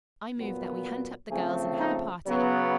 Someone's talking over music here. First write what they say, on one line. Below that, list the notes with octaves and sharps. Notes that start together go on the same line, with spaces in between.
I move that we hunt up the girls and have a party.
A#2 F#3 B3
C#3 F3 A3 C4 G#4
D#4
C#3 F#3 B3